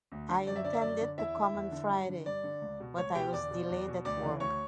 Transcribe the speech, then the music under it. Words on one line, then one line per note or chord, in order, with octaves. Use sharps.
I intended to come on Friday, but I was delayed at work.
D2
D3
F#2 D5
E5
D3 D5
E5
F#2 D5
D3
E2 E4 E5
D3
E2
D3
G2
D3
G2 D5
D3
C#2
B2
C#2 C#5
B2 G4 G5
E2 D5 D6
B2
E2
B2
D2 D5 D6
C#3 E3
D2 C#5 C#6